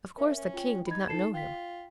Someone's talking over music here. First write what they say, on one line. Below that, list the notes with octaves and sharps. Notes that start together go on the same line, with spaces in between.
Of course the king did not know him.
C#4 A#4 E5
C#4
F4 G5
D#4 B5 G#6
D#4 A4 C7 E7
F4 G5 B6